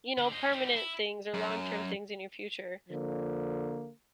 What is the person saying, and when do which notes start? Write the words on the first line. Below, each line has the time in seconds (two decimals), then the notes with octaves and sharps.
you know, permanent things or long-term things in your future.
0.18 D3
0.32 C5 D#5
0.52 G3 D#4
0.76 E4
1.34 F#2
2.89 D3 F3 A#3